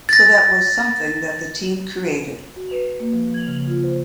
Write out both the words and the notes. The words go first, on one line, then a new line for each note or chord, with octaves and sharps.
So that was something that the team created.
A6 A#6
F#4
B4
A#3
F3
G#6
C#3
F4
C5